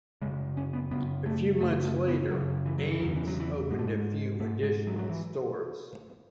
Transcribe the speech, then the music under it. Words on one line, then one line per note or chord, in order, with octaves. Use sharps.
A few months later, Ames opened a few additional stores.
F#2 C#3 G#3
C#4
B3
F#2 C#3 B3
A3
F#2 C#3 A3
A3
B3
F#2 C#3 F#3
E3
F#3
E3
E2 C#3 F#3
E3
F#3
E3
G#2 G#3
A3
G#3
G#2 A3
G#3
F#3
F#3
E3